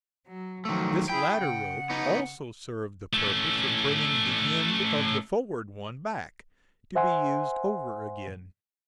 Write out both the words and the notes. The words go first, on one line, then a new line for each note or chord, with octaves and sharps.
This latter rope also served the purpose of bringing the end of the forward one back, to be used over again.
F#3
D#3 F3 F#3 A3
E4 G#4 G5
C#3 F#5
B3 D#4
A3 C#4
C5 E5 F#5 G#5 C6